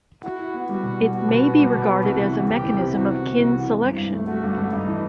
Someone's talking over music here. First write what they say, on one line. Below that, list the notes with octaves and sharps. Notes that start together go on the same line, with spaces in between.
It may be regarded as a mechanism of kin selection.
E4 F#4
E4
B3
G3 F#4
B2
G3
B3 F#4
B2
B3
G3
B2
B3
C2 F#4
E3
E3
C2 G4
C2
C3
C2 F#4
C2
C2
C2
E3
C3
G2
G2
A3
A3 F#4
G2
G2
G2 D#4
E3